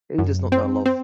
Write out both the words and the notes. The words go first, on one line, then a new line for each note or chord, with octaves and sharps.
He does not know love.
F#2
C4
C4